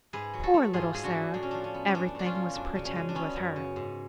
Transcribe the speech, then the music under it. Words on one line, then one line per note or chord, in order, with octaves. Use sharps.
Poor little Sara! everything was "pretend" with her.
G#2 G#4 B4
F#3
F#4 A4
A3
G#2 F4 G#4
G#2 G#4
D4 F#4
F#3
A2 D4
C#4
F3 D4
C#4
B3
C#4
A2 D4
A2 D4
C#4 F4
F3
F#2 D4
C#3
C#4
G#3
D4
B3 C#4
F#2
C#3
G#2